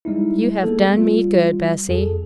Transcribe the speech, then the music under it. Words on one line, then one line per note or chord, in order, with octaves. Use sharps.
You have done me good, Bessy.'
G3 G#3 D#4 E4
G#3 A#3 B3 G#4 A4
G3 F4
F2 G#4 A4